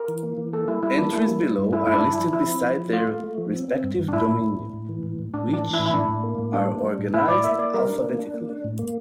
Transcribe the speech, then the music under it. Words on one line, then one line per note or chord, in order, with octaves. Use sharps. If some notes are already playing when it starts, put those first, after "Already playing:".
Entries below are listed beside their respective dominions, which are organised alphabetically.
Already playing: A#4
E3
A#3
E3
A#3 A4
G3 E4
G3 E4
A#3 D4
A#3 E4
G3
G3
G2
A3 E4
G2 E4
D4
G2
E4
F3
F3 E4
C4
F3
F3
A3 F4
A3
A3
F3
C4
C4
G2
G2
D4
A2 E4
A2
A2
A2
A2
E3
A2
A2
A2 D4
E3
D4
E3
E4
A2
E4
A2 D4
A2
A#3
A2
G3 D4
A#3
G3
A2
A2 E4
A2 D5
A#3 E5
A#3 D5
G3 A#4
D4
A#3
D4
A#3
D4
A2
A#3